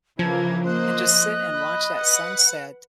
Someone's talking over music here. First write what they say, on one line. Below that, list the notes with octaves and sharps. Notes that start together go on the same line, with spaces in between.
and just sit and watch that sunset
C#3 E3 F3 A#3 G#6
A#3 C5 D#5 F#6
B5
B4 F#5 F#6